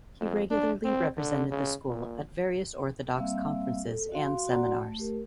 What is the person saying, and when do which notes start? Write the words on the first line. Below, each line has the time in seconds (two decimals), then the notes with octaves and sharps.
He regularly represented the school at various Orthodox conferences and seminars.
0.21 F2
0.50 D4
0.84 C4
1.17 D3
1.51 C#3
1.88 A#2
3.18 G3 A#3 C4 E5 F5 E6
3.87 A4
4.12 F#4 F5 C6
4.48 F#4 D5 F#5 A#5 C6
4.79 A3
4.97 A3 G4 A#4